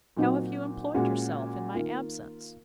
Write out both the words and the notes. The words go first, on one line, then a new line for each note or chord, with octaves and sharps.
How have you employed yourself in my absence?
A#2 F#3 C4 D#4 F#4
A#2 G#3 C#4 F#4
D#3 A#3 F4